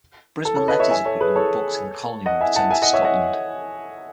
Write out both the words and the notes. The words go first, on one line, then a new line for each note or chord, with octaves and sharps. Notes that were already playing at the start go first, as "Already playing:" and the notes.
Brisbane left his equipment and books in the colony when he returned to Scotland.
A4
A4 C#5
B4 D#5
C#5 E5
E5 G#5
A4 C#5
G#4 B4
A4 C#5
D#5 F#5
E5 G#5
F#5 A5
E5 G#5
D#5 F#5
C#5 E5
D#5 F#5